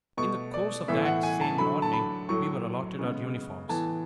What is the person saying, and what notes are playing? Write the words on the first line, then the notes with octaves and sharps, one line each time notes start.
In the course of that same morning we were allotted our uniforms.
B2 A3 C#6
D5
A2 E3 B3 E5
F#5
G#5
A5
D3 F#3 A3 B5
A5
B5
A2 F#3 A3 C#6
C#3 G#3 B3
A2 E3 B3 A5